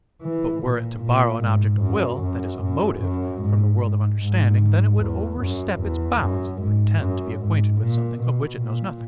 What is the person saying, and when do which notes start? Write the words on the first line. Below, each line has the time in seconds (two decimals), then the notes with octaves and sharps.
But were it to borrow an object of will, that is, a motive, from the world of understanding, then it would overstep its bounds and pretend to be acquainted with something of which it knows nothing.
0.23 E3
0.63 A#2
1.03 A#2
1.43 G#2
1.82 F#2
2.22 F#2
2.63 F#2
3.02 F#2
3.42 G#2
3.82 G#2
4.22 G#2
5.02 E2
5.41 F#2
5.82 E2
6.21 F#2
6.61 G#2
7.01 F#2
7.41 G#2
7.81 A#2
8.21 B2
8.60 A#2